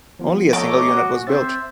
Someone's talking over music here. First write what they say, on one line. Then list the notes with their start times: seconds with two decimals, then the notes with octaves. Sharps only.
Only a single unit was built.
0.19 F3 B3 F4
0.53 A3 C#5 D#5 A#5 D6
0.88 F#4 G#5
1.27 C4 C5 E5 A6